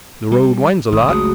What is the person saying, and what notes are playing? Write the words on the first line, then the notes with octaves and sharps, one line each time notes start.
The road winds a lot.
G3
G#1 D#6
F#1 C#2 C#3 A3 F#4 G#4